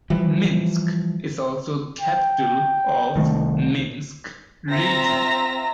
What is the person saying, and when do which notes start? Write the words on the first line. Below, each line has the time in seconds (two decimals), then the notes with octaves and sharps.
Minsk is also the capital of Minsk Region.
0.10 E3 F3 G3
2.00 G5
3.16 C2 D#3 A3
4.71 C4 F4 E5 A#5 A#6